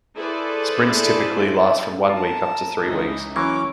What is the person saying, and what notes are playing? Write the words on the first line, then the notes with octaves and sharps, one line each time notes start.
Sprints typically last from one week up to three weeks.
E4 G#4 A4 B4 C5 D5
F4 A#4 A5
C#2 E3 D#4
E3 F#3 A#3 C#4 C#5 C#6 D6